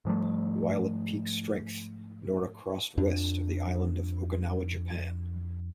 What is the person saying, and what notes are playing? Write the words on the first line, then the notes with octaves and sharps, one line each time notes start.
While at peak strength, Nora crossed west of the island of Okinawa, Japan.
G#2 F3 G3 A3
F2 D4